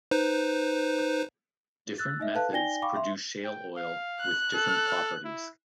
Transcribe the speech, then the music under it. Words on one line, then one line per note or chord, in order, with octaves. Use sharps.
Different methods produce shale oil with different properties.
D#4 B4 C5
E6 F#6 A6
D#4 D#5 E5
A4 B4 F5 A5 F#6
D#4 D5 G5 G#5 A#6 G7
F5 G5 B5 C#6 D6
E5 C6
G5
F5
F#6
A4
E4